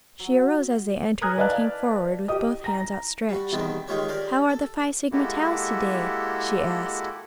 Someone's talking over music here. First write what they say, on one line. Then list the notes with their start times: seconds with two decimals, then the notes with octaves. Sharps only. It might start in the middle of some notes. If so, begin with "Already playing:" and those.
She arose as they entered and came forward with both hands outstretched. "How are the Phi Sigma Taus to-day?" she asked.
0.19 F#3
1.21 G#5 A#5 D#6 F6 F#6 G#6
1.38 B4 D5 D#5 F5 A5 F#6
2.28 G4 D#5 D#6
2.64 A#5 A#6
3.29 G3 F#4
3.52 E2 B2 D#3 G3 B3 C4
3.88 D#3 G#3 F4 G4 C#5
4.08 G4 G#4 A#4 D5 G#5
4.49 A4
5.12 G#3 A#3 E4 F#4 G4 A4